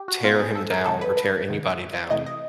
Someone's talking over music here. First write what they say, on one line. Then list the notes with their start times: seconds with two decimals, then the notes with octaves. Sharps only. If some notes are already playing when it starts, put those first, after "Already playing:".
tear him down or tear anybody down
Already playing: G4
0.08 F#4
0.23 B2 G#3 B3 F4
0.40 G#4
0.55 A4
0.70 A#4
0.85 C3 D#3 G#3 A4
1.01 B4
1.17 B4
1.49 C3 D#3 G#3
2.10 C3 E3 A3 D#5
2.26 D#5